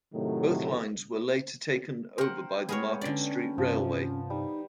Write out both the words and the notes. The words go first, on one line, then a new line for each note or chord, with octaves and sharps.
Both lines were later taken over by the Market Street Railway.
A2 C3 D#3 F#3 A3
A#4 C5 F#5 G5
G#3 B3 G#4 A#4 B4 C#5
D3 C#4 D5
G2 C3 F3
G3 D#4